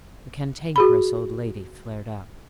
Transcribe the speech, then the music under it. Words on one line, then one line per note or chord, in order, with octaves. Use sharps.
The Cantankerous Old Lady flared up.
F#4 G#4 B5